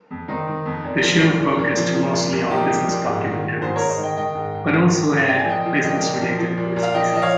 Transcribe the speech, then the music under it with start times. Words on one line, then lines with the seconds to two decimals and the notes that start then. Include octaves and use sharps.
The show focused mostly on business documentaries, but also aired business-related news pieces.
0.11 F2
0.28 D#3 C4 D#4
0.47 D#3
0.66 F2
0.84 A#2
1.02 F3
1.21 F3
1.40 A#2
1.59 A#2
1.77 F3
1.95 F3
2.14 A#2
2.32 A#2
2.50 F3 D#4 G4
2.70 F3
2.88 A#2
3.06 G#2
3.25 D#3
3.43 D#3
3.62 G#2 G#4 C5
3.76 G#2 A#4 C#5
3.89 C5 D#5
3.98 D#3
4.03 D#5 G5
4.17 D#3 D#5 G5
4.35 G#2
4.54 G#2
4.73 D#3
4.92 D#3
5.09 G#2
5.28 A#2 G5
5.39 G#5
5.47 F3 D#5 G5
5.65 F3
5.83 A#2 D#5 G5
6.01 A#2
6.21 F3
6.39 F3
6.57 A#2
6.76 A#2
6.83 F5
6.94 F3 D#5 G5
7.13 F3 D#5
7.22 C#5 F5